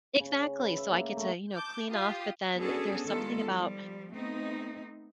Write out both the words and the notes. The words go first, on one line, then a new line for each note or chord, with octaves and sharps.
Exactly, so I get to, you know, clean off, but then there's something about
C#3
B4
E5
A#3
A3
A5 D6 G6
F4 G4 D#6
B3 C#4 D4 F#4 G#4 A4
D#3 G3 G#3 B3 F4 A4
F3 G3
A3 B3 C4 D#4